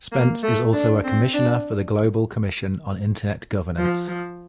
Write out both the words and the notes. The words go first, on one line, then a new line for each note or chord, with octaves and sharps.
Spence is also a Commissioner for the Global Commission on Internet Governance.
A#3
A3
D4
C4
D4
F3
F3